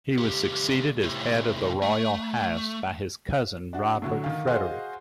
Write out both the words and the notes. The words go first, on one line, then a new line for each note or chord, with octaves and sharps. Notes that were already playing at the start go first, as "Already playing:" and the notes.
He was succeeded as head of the royal house by his cousin Robert Frederick.
C#2 G4
A2 C3
A3
D4 F#4
A2 D3 F#3
D#3 F5
F#4 G#4 C5 D#5 F5